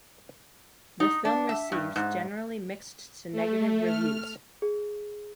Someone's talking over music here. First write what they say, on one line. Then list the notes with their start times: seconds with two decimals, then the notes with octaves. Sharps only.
The film received generally mixed to negative reviews.
1.00 D#4
1.25 D4
1.49 E5
1.72 G2
1.96 G#2
3.32 A3
3.83 F6
4.62 G#4